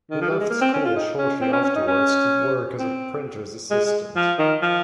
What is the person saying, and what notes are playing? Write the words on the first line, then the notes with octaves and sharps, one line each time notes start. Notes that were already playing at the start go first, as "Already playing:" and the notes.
He left school shortly afterwards to work as a printer's assistant.
D#3
F3
G3
G#3
A#3
C4
C#4
F4
D#4
C#4
C4
C#4
C#4
D#4
C#4
C4
G#3
G#3
F3
D#3
F3